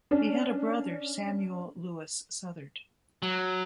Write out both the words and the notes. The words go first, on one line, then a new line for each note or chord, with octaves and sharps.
He had a brother, Samuel Lewis Southard.
C#4 D4
F#3